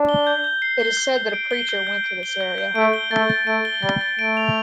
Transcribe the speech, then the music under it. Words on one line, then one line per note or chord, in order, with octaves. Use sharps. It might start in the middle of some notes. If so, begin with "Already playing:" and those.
It is said that a preacher went to this area.
Already playing: D4
G7
G6
G6
C7
G7
G6
G6
D7
G7
G6
G6
D7
G7
G6
G6
A3 D7
G7
A3 A6
A6
A3 D7
G7
G3 A6
A6
A3 D7
F7